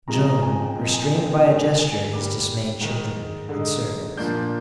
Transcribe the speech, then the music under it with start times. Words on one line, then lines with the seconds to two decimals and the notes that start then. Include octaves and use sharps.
Joam restrained by a gesture his dismayed children and servants.
0.08 C3 F3 G#3 D#4 A#5
0.25 A#5
0.42 G#5
0.60 G5
0.76 A#2 F3 C4 D#4 G5
0.93 G#5
1.10 G5
1.27 G5
1.44 G2 D3 G#3 D#4 G#5
1.79 G#5
2.13 D3 G3 A#3 D4 D6
2.81 G#2 D#3 G#3
3.49 D3 G#3 D#4
4.17 A#2 F3 A#3 D4 G6